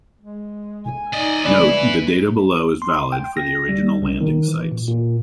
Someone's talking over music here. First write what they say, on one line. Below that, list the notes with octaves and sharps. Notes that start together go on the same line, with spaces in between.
Note: the data below is valid for the original landing sites.
G#3
G#5
D#4 D5 D#5
C#3 G3 G#3 E4 B4 D5
C6
G5
A#6
G3
C2
D#3
E3
A#2
A#2